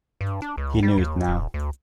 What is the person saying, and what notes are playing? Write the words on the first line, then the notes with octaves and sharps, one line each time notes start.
He knew it now.
G2
D4
C#2
G3
D#2
D#1
D2